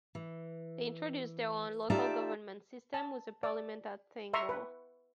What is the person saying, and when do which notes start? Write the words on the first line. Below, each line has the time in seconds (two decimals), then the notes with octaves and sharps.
They introduced their own local government system with a parliament at Thingwall.
0.15 E3
1.90 D#4 F4 G4 A4 D5 E5
2.94 A5
3.43 D5
4.33 E5 A#5 C6 C#6
4.49 B4